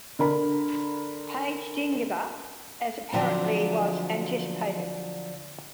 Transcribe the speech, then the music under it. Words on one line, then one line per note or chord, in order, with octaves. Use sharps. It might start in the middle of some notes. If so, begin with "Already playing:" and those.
Page didn't give up as apparently was anticipated.
D3 A#4 B5
D3 F3 F#3 C4